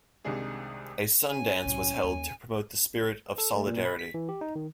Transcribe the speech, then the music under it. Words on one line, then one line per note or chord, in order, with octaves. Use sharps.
A Sun Dance was held to promote the spirit of solidarity.
C2 C3 D#3 G#3 D4 G#4
C#4 G#5
C2 A2 F#3
D#2
A4
A3
A#2
B5
B6
E3
G4
D#4
D#3